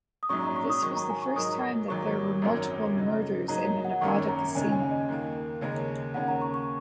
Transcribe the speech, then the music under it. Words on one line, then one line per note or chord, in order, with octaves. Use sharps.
This was the first time that there were multiple murders in a Nevada casino.
D#6
A#1 G#2 F#3 C#4 C#6
A#5
C#6
D#6
G#2 D#3 F#3 C#6
A#5
G#5
C#6
G#2 F#3 D#4 A#4 D#6
G#1 G#2 F#3 A#3 C#6
G#1 F#2 F#3 C#4 A#4
C#3 F#3 D#4
G#2 F#3 A#3 D#4 G#4 A#5
A#5
F#5
G#1 F#2 D#3 A#3 C#4 C#6
A#5
D#2 C#3 G#3 C#4 G#5
G#5
D#5
D#2 D#3 A#3
D#2 C#3 G#3 C#4 A#4
D#2 C#3 A#3 C#4 F#5
A#5
C#6
C#6